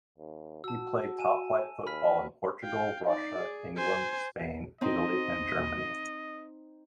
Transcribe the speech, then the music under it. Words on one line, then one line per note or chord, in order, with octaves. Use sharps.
He played top flight football in Portugal, Russia, England, Spain, Italy and Germany.
D#2
F#4 A5 E6
G#5 D#7 E7
D#2 B5 F6 B6
F5 G5
D#4 D5
G#4
C5 G#5
C4 D#4 D#5 C6